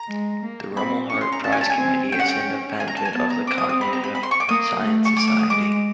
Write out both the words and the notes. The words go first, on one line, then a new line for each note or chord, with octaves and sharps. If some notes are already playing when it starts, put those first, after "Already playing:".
The Rumelhart Prize committee is independent of the Cognitive Science Society.
Already playing: A#5
G#3
A#3
C4 B5
C#4 C#6
C6
A#5
C#4 A5
G#5
A5
G#5
C4
C#4 G5
F#5
G5
G#5
A#5
A5
G#5
B3 A5
A#5
C4 D6
D#6
D#6
B5
A#5
B5
B5
C6
C#6
D6
A#3 D#6
A3
C#6
A3 D6
D6
D#6
G#3 D6